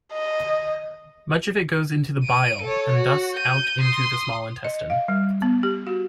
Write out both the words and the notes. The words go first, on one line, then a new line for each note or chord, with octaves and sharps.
Much of it goes into the bile and thus out into the small intestine.
D#5
D7 D#7
A4 C#5
F#4
G6 D#7
C6 D#6
D#5
F5
G3
B3
G4
F#4